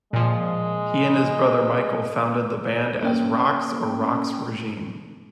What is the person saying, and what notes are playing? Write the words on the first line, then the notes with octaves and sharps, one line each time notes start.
He and his brother Michael founded the band as Roxx or Roxx Regime.
A#2 F3 G#3
A#3 C#4 G5